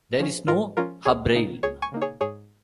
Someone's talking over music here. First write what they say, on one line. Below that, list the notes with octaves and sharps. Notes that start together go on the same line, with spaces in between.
There is no hubrail.
F3 C#4
G#2 F4 A#4
F3 C#4 F4 A#4
C#2 G#4 C#5
C#3 A#3 D#4
C#2 G#4 C#5
G#5 C#6
C#3 A#3 D#4
G#4 C#5
G#2 G#4 C#5